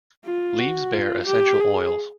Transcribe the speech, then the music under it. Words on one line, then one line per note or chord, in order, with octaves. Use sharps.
Leaves bear essential oils.
F4
F#4
F4
G4
G#4